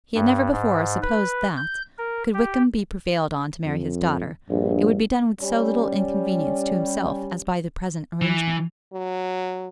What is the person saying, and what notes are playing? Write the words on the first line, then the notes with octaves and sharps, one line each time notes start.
He had never before supposed that, could Wickham be prevailed on to marry his daughter, it would be done with so little inconvenience to himself as by the present arrangement.
G2
G#2
B4
G6
A#4
G4
F2
A#1 G2
G3 C#4
E3
F#3